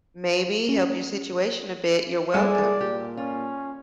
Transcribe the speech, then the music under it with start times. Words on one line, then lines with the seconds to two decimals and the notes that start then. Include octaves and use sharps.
maybe help your situation a bit, you're welcome.
0.69 C#4
2.34 G3 G#3 E4 G#4 A4 D5
2.81 A#2 G4
3.17 C#4 F4